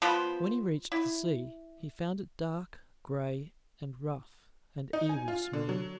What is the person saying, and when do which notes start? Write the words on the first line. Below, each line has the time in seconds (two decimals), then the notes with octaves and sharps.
When he reached the sea, he found it dark, gray, and rough, and evil-smelling.
0.02 F3 B3 C5 B5
0.92 E4
4.93 D#4
5.09 G#5
5.28 F4
5.53 D3
5.69 F#3